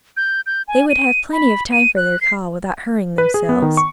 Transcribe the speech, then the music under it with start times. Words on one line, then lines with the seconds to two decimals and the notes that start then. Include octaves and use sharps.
They would have plenty of time for their call without hurrying themselves.
0.17 G6
0.46 G6
0.68 G#5
0.90 D#7
1.33 B5
1.72 D#7
1.97 F#6
2.21 C7
3.18 B4
3.34 G#4
3.49 B3
3.62 D#3
3.77 C#6